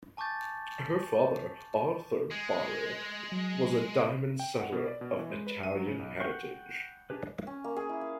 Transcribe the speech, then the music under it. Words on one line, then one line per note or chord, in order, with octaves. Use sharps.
Her father, Arthur Bari, was a diamond setter of Italian heritage.
G#5 A5 C#6 D6 G6 A6
G#3
F#3
G5
F#5
B2
D5
B2
E3
G#3
B4
D#7
F#3
C#3
B1
F#5 G5 C#6
D4 G4 G#4 B4
C#4
A#3
G#4
E4
F5